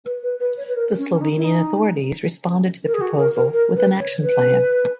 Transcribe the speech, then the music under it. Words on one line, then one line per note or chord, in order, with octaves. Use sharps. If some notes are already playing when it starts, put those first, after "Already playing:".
The Slovenian authorities responded to the proposal with an action plan.
B4
B4
B4
C#5
B4
A#4
C#4
C#4
D#4
E4
D#4
A#4
G#4
F#4
A#4
A#4
A#4
B4
C#5
B4